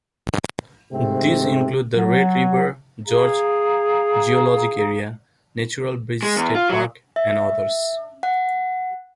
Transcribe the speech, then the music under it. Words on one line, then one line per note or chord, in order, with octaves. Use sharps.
These include the Red River Gorge Geologic Area, Natural Bridge State Park, and others.
G#2 C3 A3 C4
F#3
G#4 F5 A#5
G#3
E2
F4
F#3
E5
F#5